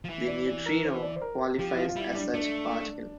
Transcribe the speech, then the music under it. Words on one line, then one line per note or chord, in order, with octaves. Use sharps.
The neutrino qualifies as such particle.
F3
E3 E5
D5
D5
A#4
C5
D5
C5
A#4
F3 G4
E4
F4
F4
G3 E4
D4
A3 D4